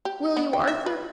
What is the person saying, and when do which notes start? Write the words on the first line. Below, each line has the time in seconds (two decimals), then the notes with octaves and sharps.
Will you, Arthur?
0.05 G4
0.37 B3
0.53 G5
0.67 E5
0.86 B4